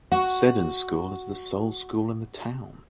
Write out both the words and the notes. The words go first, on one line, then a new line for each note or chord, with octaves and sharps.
Seddon School is the sole school in the town.
F#4 F#5